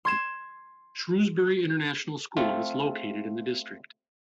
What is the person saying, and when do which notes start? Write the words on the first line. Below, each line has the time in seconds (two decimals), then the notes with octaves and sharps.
Shrewsbury International School is located in the district.
0.05 C6 G#6 E7
2.37 A3 C4 F4